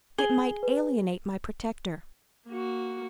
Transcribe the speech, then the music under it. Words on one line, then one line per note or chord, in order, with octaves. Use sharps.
It might alienate my protector.
G#4 G7
B4
A#3 F#4